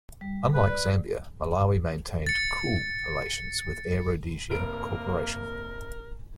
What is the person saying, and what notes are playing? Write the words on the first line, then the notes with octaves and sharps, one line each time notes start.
Unlike Zambia, Malawi maintained 'cool' relations with Air Rhodesia Corporation.
G3
B4
D5
A6 C#7
F1 A#3 A#4 D7